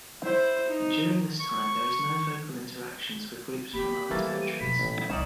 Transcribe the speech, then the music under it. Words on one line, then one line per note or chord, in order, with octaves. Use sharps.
During this time, there is no vocal interactions with groups from other territories.
E4 C5
D#4
C#6
A#3 C4 G4 B5
E3 G3 A3 A#3 A6
D#7
F2 B2 B5 B6
A1 A#2
E1 C2 C#4 D#4 D5 E7